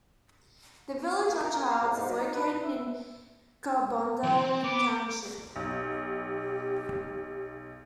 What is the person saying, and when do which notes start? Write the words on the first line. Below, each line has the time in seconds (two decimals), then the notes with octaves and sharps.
The village of Childs is located in Carbondale township.
1.26 A#3
1.44 A#4
1.58 G#5
1.71 F5
1.82 C2
1.95 G#2
2.09 F#3
2.21 D#4
2.34 B4
2.63 E5
4.24 E3 F#3
4.38 C4
4.64 B3 B4 D6
5.56 B1 G4